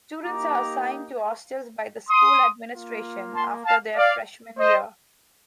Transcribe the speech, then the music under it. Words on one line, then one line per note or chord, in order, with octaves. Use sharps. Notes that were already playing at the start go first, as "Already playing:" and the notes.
Students are assigned to hostels by the school administration after their freshmen year.
A#3 D#4 G4 A#5 D6
C6 D#6
A#3 F4
A5 C6
F5 A5
D5 F5
C5 D#5